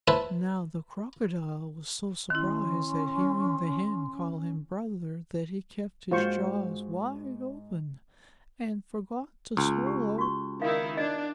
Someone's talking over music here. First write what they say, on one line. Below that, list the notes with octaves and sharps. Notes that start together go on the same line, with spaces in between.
Now the Crocodile was so surprised at hearing the Hen call him Brother that he kept his jaws wide open and forgot to swallow his dinner.
E4 B4 C5 A5
D#3 C#4 E4 C6
G#2 F4 F#4 C5 C#6
C#2
G4
F#4 C#6
D#3 D#4 E4 F5
D4 D5 D#5